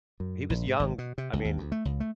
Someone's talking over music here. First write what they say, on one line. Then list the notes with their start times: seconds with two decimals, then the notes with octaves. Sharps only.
He was young, I mea
0.20 F#2
0.50 A#1
0.67 G#2
0.79 G#1
0.98 B2
1.18 C3
1.33 C#2
1.45 D#2
1.58 D2
1.72 A3
1.85 C#2
2.00 A3